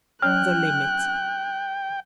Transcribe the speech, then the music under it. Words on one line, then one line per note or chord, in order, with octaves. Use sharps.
The limit.
F#3 C#4 C#5 G5 F6 F#6